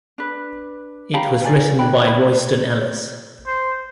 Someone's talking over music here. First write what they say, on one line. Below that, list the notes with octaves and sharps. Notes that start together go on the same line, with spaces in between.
It was written by Royston Ellis.
D4 B4
G4 F5 A#5 B5
F4 G#4 D5 G#5
D4 G5 B5
E4 B4 B5
C5